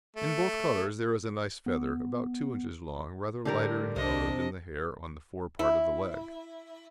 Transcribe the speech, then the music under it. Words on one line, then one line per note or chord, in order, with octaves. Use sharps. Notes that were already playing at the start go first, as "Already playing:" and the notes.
In both colours there is a nice feather, about two inches long, rather lighter in colour than the hair on the fore-part of the leg.
A3
B3
A2 D3 G3 A#4
C2 C3 D4 D#5
E4